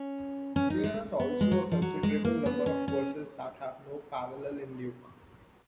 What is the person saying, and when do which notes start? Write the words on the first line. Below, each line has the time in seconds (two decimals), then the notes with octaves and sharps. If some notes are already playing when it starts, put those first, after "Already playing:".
There are also a considerable number of verses that have no parallel in Luke.
Already playing: C#4
0.56 C#4
0.70 D#4
0.84 G#3
1.20 B3
1.41 G#3
1.51 F#3
1.72 F3
1.82 F#3
2.03 G#3
2.25 A#3
2.46 B3
2.66 C#4
2.88 C#4